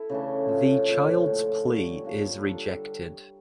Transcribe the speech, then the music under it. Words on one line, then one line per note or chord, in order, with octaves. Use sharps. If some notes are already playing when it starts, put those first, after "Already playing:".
The child's plea is rejected.
Already playing: E4 A4
C#3 E3 A3 D4
F3 C#4 F4
A#2 F3 A3
A2 F3 A3
D3 G3 C#4
F3 A#3 D4
G3 D4 A4